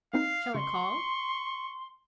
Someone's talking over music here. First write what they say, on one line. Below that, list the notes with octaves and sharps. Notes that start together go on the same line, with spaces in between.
"Shall I call?"
A#3 C4 D#4 F5 C7
C#3 C6 C#6